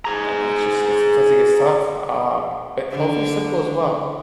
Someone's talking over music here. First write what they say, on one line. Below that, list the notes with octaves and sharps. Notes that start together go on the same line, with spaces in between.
I mean, it's just it's sometimes it gets tough, um, but hopefully simple as well.
G#4 A#5
D3